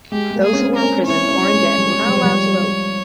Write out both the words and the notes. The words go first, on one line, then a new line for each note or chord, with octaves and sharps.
Those who were imprisoned or in debt were not allowed to vote.
G#3 G4
G#3
A#3
G#4
C#4
C4
A#4
C#4
E4 C#5
C#4
G#3
G3
G#3
G3
F3
G3